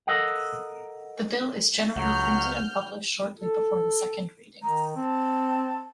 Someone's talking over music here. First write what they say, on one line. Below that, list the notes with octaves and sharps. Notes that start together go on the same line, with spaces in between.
The bill is generally printed and published shortly before the second reading.
A4 A#4 D#5 F5 F#5
C#2 F#3 F#5 F6 G6
A4
D#3 A#5
C4 A5